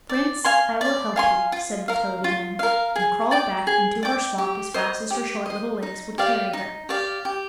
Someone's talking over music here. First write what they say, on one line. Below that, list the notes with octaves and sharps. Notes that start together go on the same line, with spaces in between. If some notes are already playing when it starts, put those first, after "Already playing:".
'Prince, I will help you,' said the toad again, and crawled back into her swamp as fast as her short little legs would carry her.
D5
F5 G#5 C6
D5
F5 G#5 C6
F4
A#4 F5
F4
A#4 F5
G#4
D5 G5 D6
G#4
D5 G5 D6
G4
C5 D#5
G4
C5 D#5
D#4
G4 D5 F5
D#4
G4 D5 F5
G4